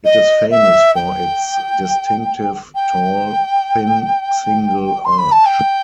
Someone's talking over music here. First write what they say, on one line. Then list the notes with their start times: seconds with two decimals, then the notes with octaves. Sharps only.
It is famous for its distinctive tall thin single arch.
0.05 D#5
0.51 E5
0.95 G5
2.75 G5
5.05 C6
5.18 B5
5.32 A5
5.46 G5